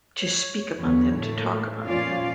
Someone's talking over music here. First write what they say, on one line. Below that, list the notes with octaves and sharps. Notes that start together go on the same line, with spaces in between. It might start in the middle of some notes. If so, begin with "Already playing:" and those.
to speak about them, to talk about them,
C#5
E2 D3 E3 F#3 B3 C#5
A2 A3 A#3
A#2 F3 C#4 F4 D5 F5